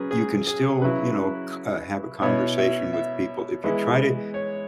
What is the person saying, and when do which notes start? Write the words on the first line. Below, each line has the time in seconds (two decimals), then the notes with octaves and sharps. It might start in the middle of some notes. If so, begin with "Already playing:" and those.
you can still, you know, c have a conversation with people, if you try to
Already playing: C#3 F#3 C#4 G#4 B4
0.11 G#4
0.47 G#4
0.81 C#3 F#3 E4 B4
2.22 B2 B3 E4 C#5
2.58 E5
2.93 E5
3.64 E3 G#3 B3 E4
4.34 C#5